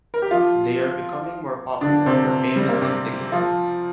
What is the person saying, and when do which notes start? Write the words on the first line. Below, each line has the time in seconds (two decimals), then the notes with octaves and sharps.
They are becoming more popular for payment and ticketing.
0.14 A#4
0.22 G4
0.31 F3 F4
1.81 D3 D4
2.06 C3 C4
2.56 G3
2.69 A#3
2.81 C3 C4
3.32 F3 F4